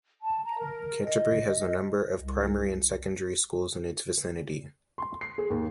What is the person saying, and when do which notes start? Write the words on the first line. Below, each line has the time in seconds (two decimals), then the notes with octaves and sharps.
Canterbury has a number of primary and secondary schools in its vicinity.
0.21 A5
0.44 A#5
0.59 A#4
1.05 D#5
2.17 C2
4.98 C6
5.21 C7
5.38 G#4
5.50 D#2